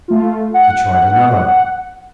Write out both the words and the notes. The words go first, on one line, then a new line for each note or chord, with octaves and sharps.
He tried another.
A3 F4
F#5